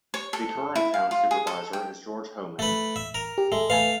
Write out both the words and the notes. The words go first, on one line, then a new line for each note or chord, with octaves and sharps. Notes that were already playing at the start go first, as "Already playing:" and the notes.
The current Town Supervisor is George Hoehmann.
C#5
A4
E4
F5
F4
G#4
A4
G5
A3 B4
E5
A#4
G4
G#3 A4 E5
A3 B4 F5 G#5